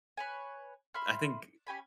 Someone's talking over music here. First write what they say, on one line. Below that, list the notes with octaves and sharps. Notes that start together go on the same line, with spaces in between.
I think
B4 C#5 G#5
E5 B5 C6 F6
C#4 G4 G#5 B5